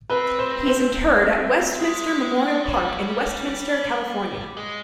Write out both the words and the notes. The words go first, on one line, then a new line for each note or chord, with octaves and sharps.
He is interred at Westminster Memorial Park in Westminster, California.
C4 B4
C5
C5
G#3
G3 C#5
G#3